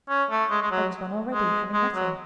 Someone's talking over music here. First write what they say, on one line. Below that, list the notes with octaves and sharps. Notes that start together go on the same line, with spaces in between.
I was one already, having nothing.
C#4
A3
G#3
G#3
F#3
G#3
G#3
F#3